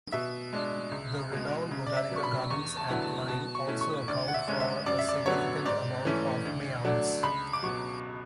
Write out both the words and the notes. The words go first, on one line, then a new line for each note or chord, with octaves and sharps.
The renowned botanical gardens at Clyne also account for a significant amount of Mayals.
B2 E5
G#3 D4
C#2
B2 G#3
C#3
D5
E5
F#3 B3 D4 C#6
B5
E2 C#6
A5
D3 F#3 B3 E4
A5
B2 A5
C#6
A3 C#4 E4
C#6
D2 D5
F#5
E5
D3 G#3 C#4
E5
F#2 D5
E5
D5
D3 F#3 B3 C#5
G#2 D5
E3 A3 C#4 E4
D2
D3 F#3 A3 D4
C#2 B5
D6
B2 F#3 C#6